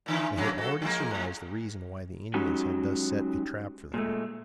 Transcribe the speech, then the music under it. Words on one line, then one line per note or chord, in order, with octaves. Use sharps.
They had already surmised the reason why the Indians had thus set a trap for them.
A#2 D3 E3
F#2 C#3 F#3
F#4 A4
F3 G#3 A#3
A2
F#3 G#3 C#4 D#4 F#4 G4
A#2 G#3 A3